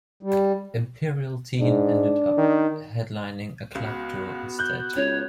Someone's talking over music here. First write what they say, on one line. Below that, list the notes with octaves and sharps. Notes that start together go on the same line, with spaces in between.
Imperial Teen ended up headlining a club tour instead.
G3
G#2 D4
D#3
C#2 B3 F#4
F#6 G6
C#2 C#5